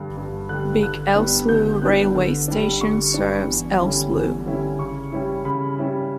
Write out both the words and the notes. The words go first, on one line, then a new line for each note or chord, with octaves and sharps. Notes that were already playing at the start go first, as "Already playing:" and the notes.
Beek-Elsloo railway station serves Elsloo.
Already playing: G2 D3 G3
G2
D3 G3 F#6
D3 F#6
G3 B3 D4
D3 G6
G3 B3 D4 F#6
D3
G3 D4
D3 C#6
G3 D4
E2
D3 G3 C#4 E4
E2
D3 G3 C#4 E4
C#3 C#6
G3 C#4 E4
C#3 B5
G3 C#4 E4